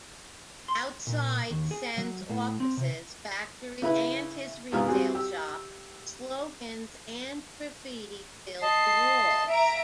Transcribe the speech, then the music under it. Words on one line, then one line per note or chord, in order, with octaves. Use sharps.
Outside Sen's offices, factory and his retail shop, slogans and graffiti filled the walls.
C6
A#2
D#2
G#4
F#3
A2
C4
C3
C#3 E4 B4
C2 F2 G#2 B3 F4 F6
G3 C4 F#4 G#4
G4 E6
D#5 A5 C7
E5 A#5 D7